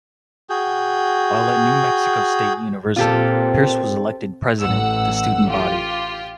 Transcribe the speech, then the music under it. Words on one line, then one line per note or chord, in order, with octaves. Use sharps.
While at New Mexico State University, Pearce was elected president of the student body.
F#4 G#4 G5
A#2 C4 F4 G4 A4
A1 F#5 E6
F4 G4